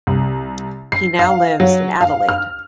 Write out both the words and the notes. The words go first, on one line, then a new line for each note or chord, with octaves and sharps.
He now lives in Adelaide.
C2
C7
F5
F#3
F5
F6